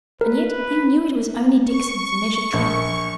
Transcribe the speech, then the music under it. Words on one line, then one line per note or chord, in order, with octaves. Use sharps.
And yet they knew it was only Dixon's measured tread.
A#4 B4
C#6
A#1